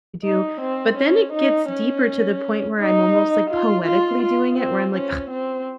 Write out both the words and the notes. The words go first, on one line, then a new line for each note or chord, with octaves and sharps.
do, but then it gets deeper to the point where I'm almost, like, poetically doing it, where I'm like, "Ugh,
D#4
C4
C#4
D#4
C#4
D#4
F4
F4
F4
C4
C#4
C4